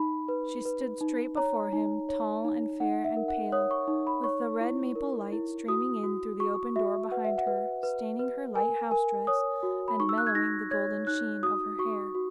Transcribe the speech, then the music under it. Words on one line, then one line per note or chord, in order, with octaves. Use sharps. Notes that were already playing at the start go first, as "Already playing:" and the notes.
She stood straight before him, tall and fair and pale, with the red maple light streaming in through the open door behind her, staining her light house-dress and mellowing the golden sheen of her hair.
Already playing: D#4 B5
B4
B4
D#4
C#5 A#5
D#4
C#5
D#4
D#4 F#5
E5
A#4
F#5
C#5 D#6
C#6
D#4
B5
C#5 C#6
E4
A#4
E4
F#4 D#6
F#4
F#4 C#6
F#4 E5
B4 F#5
E5
F#5
B4
B4
B4
A#4 G#5
A#4 G#5
C#5 D#6
F#4
B5
D#4 C#6
E6
F#6
G#6
D#4 A#6
C#5 G#6
D#4 F#6
F#4 D#6
F#4 C#6
F#4